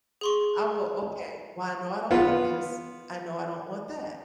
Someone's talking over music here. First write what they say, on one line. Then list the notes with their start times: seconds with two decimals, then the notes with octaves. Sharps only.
I'll go, "Okay, well, I know I don't want this, I know I don't want that."
0.21 G#4 C6 C#6
2.11 B3 F4